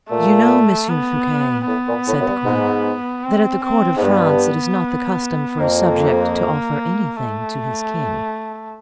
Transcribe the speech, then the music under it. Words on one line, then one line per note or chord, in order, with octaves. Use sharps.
"You know, Monsieur Fouquet," said the queen, "that at the court of France it is not the custom for a subject to offer anything to his king."
A#2 A3
B3
A2 B3
A#2
A2
F#2
G2
G#2
C4
C4
G#2
G2 B3
F2 A#3
A3